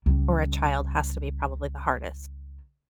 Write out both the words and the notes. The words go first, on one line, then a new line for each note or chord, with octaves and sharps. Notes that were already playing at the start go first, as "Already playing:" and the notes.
or a child has to be probably the hardest.
C#2 G3